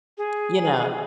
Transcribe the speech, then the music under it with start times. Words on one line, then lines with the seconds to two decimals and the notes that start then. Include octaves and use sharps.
you know,
0.18 G#4